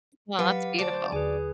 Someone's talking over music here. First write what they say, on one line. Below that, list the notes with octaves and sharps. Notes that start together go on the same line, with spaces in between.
Well, that's beautiful.
F#3 G4 B4 F5 F#5
D2 C5 D5 A5 D6
D#2 D3 G#4 B4 G#5